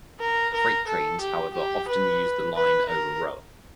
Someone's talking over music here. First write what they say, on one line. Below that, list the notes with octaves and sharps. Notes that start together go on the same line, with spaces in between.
Freight trains however often use the line over Roa.
A#4
A#4
A4
G4
G4
B4
B4
A#4